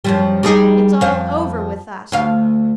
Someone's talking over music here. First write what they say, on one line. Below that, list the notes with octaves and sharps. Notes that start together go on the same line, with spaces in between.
It's all over with us.
F#2 F3 G3
G3 D#4 G#4
F2 C5 F5
D2 F5